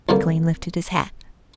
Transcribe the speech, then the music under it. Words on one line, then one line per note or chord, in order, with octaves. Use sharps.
McLean lifted his hat.
C2 G2 D3 A#3